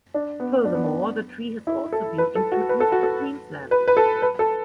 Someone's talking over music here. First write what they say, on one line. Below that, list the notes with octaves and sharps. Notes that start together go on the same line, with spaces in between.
Furthermore, the tree has also been introduced to Queensland.
D4
B3
D4
B3
D4
E4
A4
B4
A4
F#4
B4
A4
F#4
A4
B4
B4
A4
B4
A4